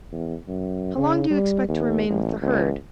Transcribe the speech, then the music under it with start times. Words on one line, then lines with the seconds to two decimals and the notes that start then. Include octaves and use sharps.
How long do you expect to remain with the herd?
0.12 E2
0.48 F#2
0.97 C#3
1.30 G3
1.68 D#2
2.09 A1
2.42 C#2